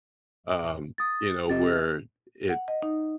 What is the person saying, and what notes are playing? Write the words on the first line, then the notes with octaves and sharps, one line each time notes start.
um, you know, where it
D#6 A6
C3 D#5 A6
F#5
D#5
D#4